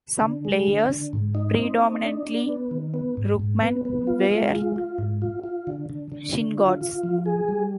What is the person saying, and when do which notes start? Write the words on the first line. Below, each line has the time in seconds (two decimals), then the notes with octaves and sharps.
Some players, predominantly ruckmen, wear shin guards.
0.21 D3
0.45 G#3
0.68 D3
0.89 D3
1.13 G#2
1.35 D#4
1.58 C4
1.81 D#4
2.04 D4
2.27 D4
2.49 B3
2.71 D#3
2.94 B3
3.17 G#2
3.40 G#2
3.63 B3
3.85 B3
4.07 F4
4.30 G#3
4.53 F4
4.76 F4
4.98 G#2
5.22 F4
5.44 F4
5.67 D3
5.90 D3
6.12 D3
6.35 D3
6.58 F4
6.81 F4
7.03 F3
7.26 G#4
7.49 G3